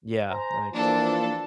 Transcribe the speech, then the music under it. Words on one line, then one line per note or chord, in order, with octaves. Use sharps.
Yeah, that makes
C5 G#5 A#5
E3 F3 A#3 D4 A4